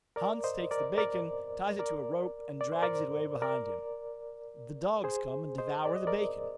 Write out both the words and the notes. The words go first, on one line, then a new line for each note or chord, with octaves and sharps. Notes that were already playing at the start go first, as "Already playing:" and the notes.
Hans takes the bacon, ties it to a rope, and drags it away behind him. The dogs come and devour the bacon.
A#4 D5
C5 D#5
A#4 D5
A#4 D5
A#4 D5
D5
C5
A#4 D5
A#4 D5
G#4 C5
C5 D#5
D5
D#5
A#4 D5